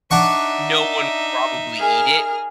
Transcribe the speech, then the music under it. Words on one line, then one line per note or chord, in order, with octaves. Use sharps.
no one would probably eat it.
D4 D#4 E5 F#5 C#6
G#4 A#4 F6